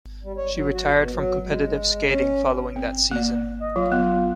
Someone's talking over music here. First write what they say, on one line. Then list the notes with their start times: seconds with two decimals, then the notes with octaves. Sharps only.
She retired from competitive skating following that season.
0.23 G3
0.37 C#5
0.55 F#3
0.74 F#4
0.97 B2
1.14 F#3
1.45 G#3
2.05 C#4
2.76 C4
3.11 A#3 D5
3.60 D#5
3.76 F#3 F4
3.92 B3